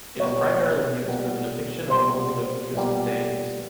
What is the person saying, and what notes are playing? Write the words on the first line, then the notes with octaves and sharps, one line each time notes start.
It is primarily used for the depiction of clothing of Buddhist deities.
B1 A#2 G3 B3 C#5
B1 A#2 G3 B3
B1 A#2 G3 B3 C5
B1 A#2 G3 B3